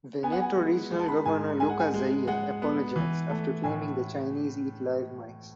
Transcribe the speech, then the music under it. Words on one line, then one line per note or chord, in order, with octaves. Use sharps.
Veneto regional governor Luca Zaia apologized after claiming the Chinese eat live mice.
B3 G#5
F#5
G#5
G#3
G#3
A5
B5
G#2 G#5
G#3 G#5
F#5
G#5
G#3
G#3 F#5
B3
E3
A3
A2 G#5